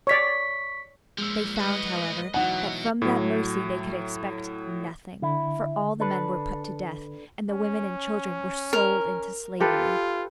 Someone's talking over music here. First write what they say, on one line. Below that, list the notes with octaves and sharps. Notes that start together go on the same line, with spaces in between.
They found, however, that from that mercy they could expect nothing, for all the men were put to death, and the women and children were sold into slavery.
C#5 D5 C#6 B6
A#2 F3 G#3 E6
A2 F#4 B4 D#5
B2 E3 F#3 D#4 F#5
A2 F#3
D3 E4
D4 A4 B4
C#4
A#4
F4 G4 A4 B4